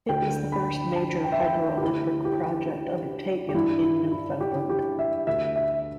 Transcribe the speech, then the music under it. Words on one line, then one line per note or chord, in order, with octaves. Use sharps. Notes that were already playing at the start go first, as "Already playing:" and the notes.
It was the first major hydroelectric project undertaken in Newfoundland.
D2 D3 G5
B5
A5
G5
E5
G5
E5
G4
D2 D3 E4
G4
G4
G4
G2 E3 E4
E4
E4
G4
G4
E5
D2 D3 E5
E5